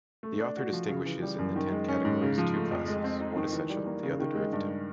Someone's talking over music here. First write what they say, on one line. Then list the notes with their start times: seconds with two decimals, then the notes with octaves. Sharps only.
The author distinguishes in the ten categories two classes, one essential, the other derivative.
0.23 A3
0.40 D4
0.57 F#4
0.72 F3
0.89 C#3
1.05 E3
1.22 G3
1.38 F#2
1.56 D#3
1.72 G#3
1.88 C#4
2.05 G#2
2.22 C#3
2.38 F3
2.55 A3
2.71 F2
2.88 G#3
3.04 C4
3.21 D#4
3.36 D#3
3.53 E3
3.70 G3
3.86 A#3
4.03 C#3
4.20 D#3
4.35 G#3
4.53 G2